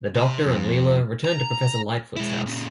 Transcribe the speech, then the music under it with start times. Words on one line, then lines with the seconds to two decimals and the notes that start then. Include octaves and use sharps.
The Doctor and Leela return to Professor Litefoot's house.
0.15 C3
0.45 F2
1.25 A#5
2.16 G#3 E4
2.46 A#2 C#3